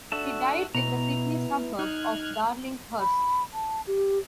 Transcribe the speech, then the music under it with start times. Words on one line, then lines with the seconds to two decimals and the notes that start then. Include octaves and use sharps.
He died in the Sydney suburb of Darlinghurst.
0.12 D4 F#4 A4 E5 A5
0.75 B2 B3 E4 A#5
1.79 D#4 F6 F#6 G#6
2.99 B5
3.53 A5
3.87 G4